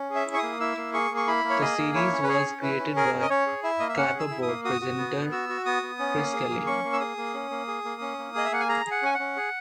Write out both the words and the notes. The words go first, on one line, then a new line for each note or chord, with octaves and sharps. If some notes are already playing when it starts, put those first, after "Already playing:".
The series was created by "Clapperboard" presenter Chris Kelly.
Already playing: C#4
G#4
E5
E4
C#6
A#3 D#6
E4 E6
A#3
G#4 C#6
A#3
C#6
E4 B5
A#3
C#5
G#4 D#5
A#3
E4 C#5
C#4
B4
G#4 C#5
C#4
E4 B4
C#4
G#4 A#4
C#4
D#5
C#4 C#5
G#4
E4 E5
A#3 D#5
E5
C#4 F#5
G#4
E6
E4
D#6
A#3
F#4 D#6
F#4
B3
B3
F#4 E6
F#4
B3 D#6
B3
C#4
A#3
G#4
A#3
C#4 C#6
A#3
E6
G#4 D#6
A#3
C#4
A#3
G#4
A#3
C#4
A#3
G#4 D#5
E5
A#3 F#5
G#5
G#4 A#5
G#4
F#5
C#4 G#5
F#5
C#4
G#4